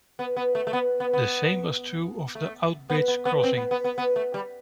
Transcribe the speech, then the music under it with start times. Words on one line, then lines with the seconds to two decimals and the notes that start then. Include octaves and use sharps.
The same was true of the Outerbridge Crossing.
0.19 B3
0.36 B3
0.55 A3
0.67 A3
0.73 B3
1.00 B3
1.13 B3
2.35 A3
2.90 B3
3.08 B3
3.25 B3
3.43 C4
3.57 B3
3.71 B3
3.84 B3
3.98 B3
4.16 A3
4.34 G3